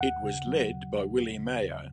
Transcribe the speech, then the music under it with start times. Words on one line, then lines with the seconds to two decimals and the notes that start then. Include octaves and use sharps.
It was led by Willie Meyer.
0.01 D#2 F#5
0.23 C#3
0.47 F#3
0.70 D#2
0.92 D#2
1.15 D#2
1.38 C#3
1.62 D#2